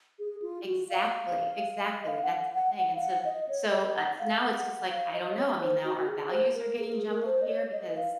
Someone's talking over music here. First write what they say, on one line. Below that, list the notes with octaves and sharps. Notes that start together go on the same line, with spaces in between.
Exactly, exactly, that's the thing, and so so, uh, so now it's just like, I don't know, I mean now our values are getting jumbled here because,
G#4
F4
F#4
F5
D#5
F5
F#5
F#5
F#5
F5
F#5
D#5
C#5
D#5
F#5
F5
F#5
F5
D#5
C#5
C5
F#4
F#4
G#4
C5
A#4
G#4
A#4
G#4
A#4
C5
D#5
C#5
D#5
F5